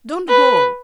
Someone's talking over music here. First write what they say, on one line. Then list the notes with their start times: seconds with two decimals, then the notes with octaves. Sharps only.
Don't go!
0.29 B4